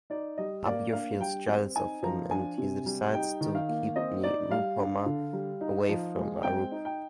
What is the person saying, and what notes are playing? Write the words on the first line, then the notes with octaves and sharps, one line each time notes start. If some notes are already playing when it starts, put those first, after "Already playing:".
Abir feels jealous of him and he decides to keep Nirupoma away from Arup.
D#4 D5
G3 D#5
A#3 D5
D4 F5
G3 G5
C4
D#4 G#5
F3 A#5
D4 G#5
C3
G3
D#4 G5
D#3
F5
A#3
C4 D#5
D#4 D5
G3 F5
D4
D3
G3
D#4
F3
G#3
C4 G5
D#4
G5